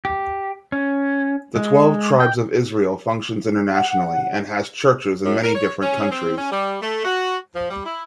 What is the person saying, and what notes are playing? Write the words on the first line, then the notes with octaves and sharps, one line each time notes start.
The Twelve Tribes of Israel functions internationally and has "churches" in many different countries.
G4
C#4
G#3
G5
F#5
F#2
A#4
C#5
C#4
C4
C#4
G3
A3
F#4
F3
G3
E4